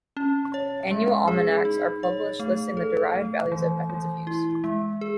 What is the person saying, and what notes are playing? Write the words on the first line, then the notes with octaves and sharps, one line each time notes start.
Annual almanacs are published listing the derived values and methods of use.
C#4
C#5
G#3
G#4
D#4
C#5
A3
A4
A3
E3
E3
E4
G#3
G#4